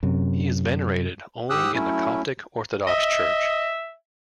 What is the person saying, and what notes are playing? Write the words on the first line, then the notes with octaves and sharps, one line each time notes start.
He is venerated only in the Coptic Orthodox Church.
F#2 C3
G#2 G4 D#6 E6 F#6
F#3 A3 C#4 E4
D#5 E5